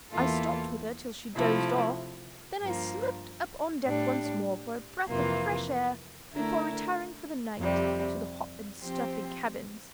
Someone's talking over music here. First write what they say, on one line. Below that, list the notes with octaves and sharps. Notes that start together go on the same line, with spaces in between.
I stopped with her till she dozed off; then I slipped up on deck once more for a breath of fresh air, before retiring for the night to the hot and stuffy cabin.
E2 E3 A#3 F4 A4
C3 F3 A3 E4
G2 F3 A#3
A2 G3 D4
F2 C3 E3 A#3 F4
D3 A3 E4 A#4
F2 C3 G3
F3 C4 G4 C5